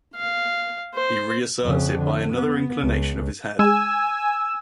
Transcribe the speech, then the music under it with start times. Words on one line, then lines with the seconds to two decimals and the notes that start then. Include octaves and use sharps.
He re-asserts it by another inclination of his head.
0.16 F5
0.94 C5
1.64 F2 C#3
1.98 D3
2.33 B3
2.81 C#2
3.59 G#3 G#5 E6